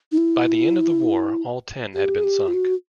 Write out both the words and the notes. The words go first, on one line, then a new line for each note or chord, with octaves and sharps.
By the end of the war all ten had been sunk.
D#4
E4
G4
G#4
G4
F4
F#4